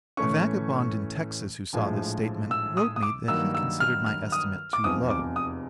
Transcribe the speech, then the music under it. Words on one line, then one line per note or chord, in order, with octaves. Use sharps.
A vagabond in Texas who saw this statement wrote me that he considered my estimate too low.
A2 E3 A3 C#4 C#6
A#1 A2 F3 G#3
E6
D#6
D#6
D6
G2 D#3 F#3 A#3 E6
E6
F6
F6
D#6
D6
F1 E2 C3 F3 D#6
D6
D#6